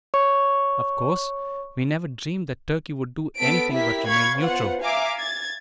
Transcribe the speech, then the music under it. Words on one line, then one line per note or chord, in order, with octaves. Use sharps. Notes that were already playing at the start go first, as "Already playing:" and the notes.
Of course, we never dreamed that Turkey would do anything but remain neutral.
C#5 C#6
B3 A4 B6 D7
E4 G4 A#4 B6
F5 B5 C#6 G#6
B3 F4 C5 F#5
E5 F5 G#5 A#5 D6
G#6 A6